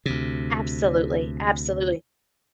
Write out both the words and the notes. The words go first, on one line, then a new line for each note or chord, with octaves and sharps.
Absolutely, absolutely,
D2 C3